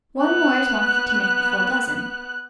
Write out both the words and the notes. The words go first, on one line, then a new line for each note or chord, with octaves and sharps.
One more is wanted to make the full dozen.
B3 F#6